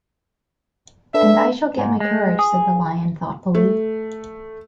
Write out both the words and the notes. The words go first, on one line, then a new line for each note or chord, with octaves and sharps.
"And I shall get my courage," said the Lion, thoughtfully.
D4 A4 B4 E5
G#2
G#3
G#4
A3